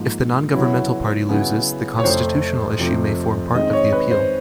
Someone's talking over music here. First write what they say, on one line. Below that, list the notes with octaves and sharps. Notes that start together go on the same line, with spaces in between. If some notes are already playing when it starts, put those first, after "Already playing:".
If the non-governmental party loses, the constitutional issue may form part of the appeal.
Already playing: G#2 F3 A#3
C#3 F#3 B3 E4
C#3 F#3 B3 E4
C#5
F2 C3 F3 A3 C4 C5
F2 C3 F3 A3 C4
D#3 G#3 C4 D#5
C#5
B4
C5